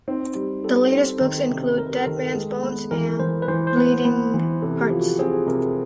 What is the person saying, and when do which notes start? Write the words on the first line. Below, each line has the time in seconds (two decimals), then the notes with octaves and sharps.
The latest books include "Dead Man's Bones" and "Bleeding Hearts".
0.08 C4 D#4
0.35 G3
0.64 G3 A4
0.92 C4
1.21 D#3
1.49 C3
1.77 C3 A#4
1.87 B4
1.96 A#4
2.06 D#3 A4
2.35 G#3
2.62 B3
2.91 E3 A#4
3.20 E3 C5
3.42 B4
3.48 E3 C5
3.67 C5
3.77 B3
3.87 B4
4.05 B3
4.34 E3
4.62 C3 A4
4.81 G4
4.90 F3
5.00 F#4
5.19 C4 G#4
5.47 C3 A#4